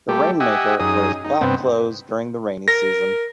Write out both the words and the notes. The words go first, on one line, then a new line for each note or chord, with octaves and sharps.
The rain-maker wears black clothes during the rainy season.
G3 A3 G4
G4 D#5 E5 F#5 G#5
F#2 D#4 G#4 D#6
D#4
G2 C3 B3 C4
A#4 A#6